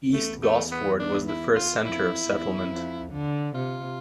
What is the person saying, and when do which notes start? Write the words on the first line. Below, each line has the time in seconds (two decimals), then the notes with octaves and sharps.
East Gosford was the first centre of settlement.
0.13 E2 A3
0.43 A3
0.71 B3
1.00 D4
1.28 E4
1.55 F4
1.84 F2 E4
2.27 E2
2.70 F2
3.13 D3
3.55 C3 F4